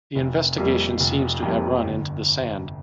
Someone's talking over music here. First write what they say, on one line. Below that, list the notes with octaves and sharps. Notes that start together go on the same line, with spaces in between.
The investigation seems to have run into the sand.
F1
F2 C3 G3 A#3
F1
F2 C3 G3 A#3
G1